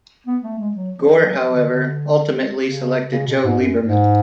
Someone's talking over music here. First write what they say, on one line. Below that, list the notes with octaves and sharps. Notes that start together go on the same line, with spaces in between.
Gore, however, ultimately selected Joe Lieberman.
B3
A3
G#3
F#3
F3
F#3
F3
D3
D3
C#3
C#3
B2
G#2
F#2
G#2